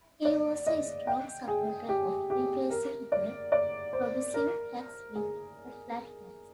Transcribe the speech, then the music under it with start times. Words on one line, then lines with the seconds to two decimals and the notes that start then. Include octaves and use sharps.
He was a strong supporter of replacing the progressive tax with a flat tax.
0.25 D5
0.67 D#5
1.07 G5
1.48 G#4
1.89 G4
2.30 G4
2.70 A#4
3.12 D5
3.52 D5
3.93 C5
4.34 A#4
5.15 G#4